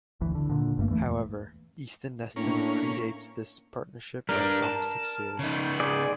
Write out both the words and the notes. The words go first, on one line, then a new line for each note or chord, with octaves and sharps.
However, Easton Neston predates this partnership by some six years.
G#1 D2 E3
D3
A#2 D3
G1 G2 A3 A#3
E2 E3 A3
A2 A#3 C#4 D4
G3 D4 A#4
A5
C#3 D#4
G#4 D5